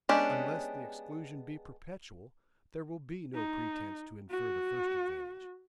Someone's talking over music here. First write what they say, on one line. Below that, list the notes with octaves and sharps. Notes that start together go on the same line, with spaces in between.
Unless the exclusion be perpetual, there will be no pretense to infer the first advantage.
G#3 B3 C#4 D4 G4
D#4
F#4